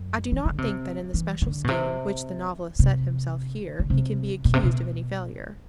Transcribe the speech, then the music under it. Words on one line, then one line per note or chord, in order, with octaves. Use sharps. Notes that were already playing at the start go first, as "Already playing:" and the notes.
I do not think that in the special scheme which the novelist set himself here he can be accused of any failure.
Already playing: F#2
E3
D3
C3
E3
D3
B2
C3
C3
D3
C3
B2
C3
B2